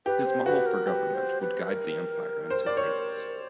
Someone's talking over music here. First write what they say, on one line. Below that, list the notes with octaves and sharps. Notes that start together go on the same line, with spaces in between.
His model for government would guide the empire into greatness.
G4 B4
C5
F#4 B4
A#4
G4 B4
C5
B4
A#4
C5
D5
C#5